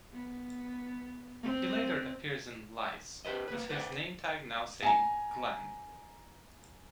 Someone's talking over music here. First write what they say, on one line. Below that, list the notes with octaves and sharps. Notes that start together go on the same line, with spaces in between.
He later appears in "Lice" with his nametag now saying Glenn.
B3
C4
G4 B4 C5 D#5
A#3 B4
B4 C5 D5 E5 F#5
G#5 A#5